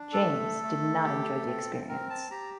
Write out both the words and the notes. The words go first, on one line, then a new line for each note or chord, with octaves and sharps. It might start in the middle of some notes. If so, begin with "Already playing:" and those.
James did not enjoy the experience.
Already playing: D4
A4
A3
A3
G4
C4
C4 A#4
A5
G4 A#5